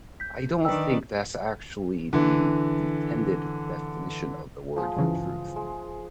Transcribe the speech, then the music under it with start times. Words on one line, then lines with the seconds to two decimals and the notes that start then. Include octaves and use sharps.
I don't think that's actually the intended definition of the word "truth."
0.20 G6 B6
0.65 D#3 D4 B4 D#5 G5 E6
2.13 D3 E3
4.76 F3 G#3 F#5
4.96 G2 C#3 E3
5.56 G#3